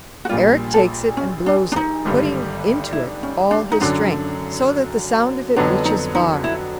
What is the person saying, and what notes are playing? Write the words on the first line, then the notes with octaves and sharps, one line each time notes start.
Erec takes it and blows it, putting into it all his strength, so that the sound of it reaches far.
F#4
A#1 A#2 G3 F4
A4
C#4
D4
D4
D#4
G#1 G2 D3 G3
E4
C#4
D4
D#4
F#2 D3 F#3 D4
F2 D3 F#3 B3 D4
D#4
D#4
E4